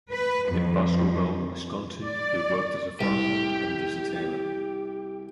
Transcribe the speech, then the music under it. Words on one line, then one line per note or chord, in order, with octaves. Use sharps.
In Boscobel, Wisconsin he worked as a farmhand and as a tailor.
B4
F2
D5
C2 G4